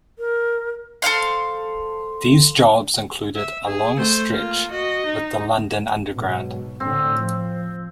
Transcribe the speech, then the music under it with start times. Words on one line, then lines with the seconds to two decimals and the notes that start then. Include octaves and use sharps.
These jobs included a long stretch with the London Underground.
0.19 A#4
1.02 A4 C5 F5 C6
3.35 E5
3.67 G#4
3.98 A3 C5
4.32 A#3 F4
4.70 F#4 D#5
5.05 D#4
6.15 G#2 B2 F#3
6.80 A2 D3 C4
7.20 F3